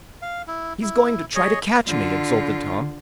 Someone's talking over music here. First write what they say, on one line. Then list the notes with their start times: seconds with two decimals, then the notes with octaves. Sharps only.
"He's going to try to catch me!" exulted Tom.
0.22 F5
0.48 E4
0.82 E4
1.35 G#4 C#5 D#5
1.87 D3 F4